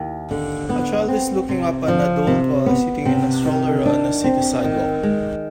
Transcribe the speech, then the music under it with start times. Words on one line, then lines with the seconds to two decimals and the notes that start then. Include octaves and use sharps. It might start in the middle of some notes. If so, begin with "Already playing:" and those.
A child is looking up at an adult while sitting in a stroller on a city sidewalk.
Already playing: D#2
0.31 D3
0.69 B3
1.08 C4
1.49 C3
1.88 F3
2.27 C3
2.66 B3
3.05 C3
3.45 D#3
3.85 D4
4.24 C4
4.64 D#3
5.03 G#3